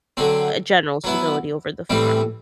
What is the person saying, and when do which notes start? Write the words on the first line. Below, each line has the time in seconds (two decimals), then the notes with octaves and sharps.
a general stability over the farm.
0.17 D3 F#3 C4
1.04 F#3 B3 E4
1.90 A2 E3 G3 C4